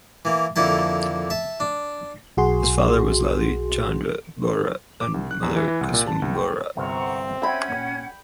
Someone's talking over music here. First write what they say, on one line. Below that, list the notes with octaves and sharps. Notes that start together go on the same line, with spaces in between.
His father was Lalit Chandra Bora and mother Kusum Bora.
E3 A#3
F2 D3 A#3 E4 A5
E5 A5
D4
B1 F#4 G#4 C6
D6
C2
F#6
E2
E3
E3
C2
A#2
A5
C2
G5
G1 C2 C4 F#5 A#5 C#6
C#4 E5 F#5 G5 B5 G#6